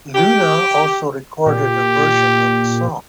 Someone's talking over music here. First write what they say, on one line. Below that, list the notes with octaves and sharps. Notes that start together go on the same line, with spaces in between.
Loona also recorded a version of the song.
G4
A#2 G4